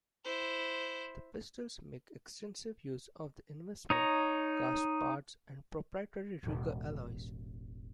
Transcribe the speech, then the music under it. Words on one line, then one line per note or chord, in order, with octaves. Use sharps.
The pistols make extensive use of investment-cast parts and proprietary Ruger alloys.
E4 C5
D#4 C#5 A#5
E1 A1